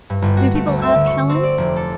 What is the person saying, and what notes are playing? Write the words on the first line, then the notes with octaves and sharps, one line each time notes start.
"Do people ask Helen?"
G2
G1
F#4
A3
D2
E5
D3
C#6
C4
D5
F1
A4